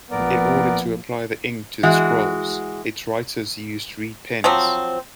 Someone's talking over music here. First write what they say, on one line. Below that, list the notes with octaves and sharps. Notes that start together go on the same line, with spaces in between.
In order to apply the ink to the scrolls, its writers used reed pens.
A#1 F3 A#3 B3 A#4 D5
E3 G#3 F#4
F3 F#3 C4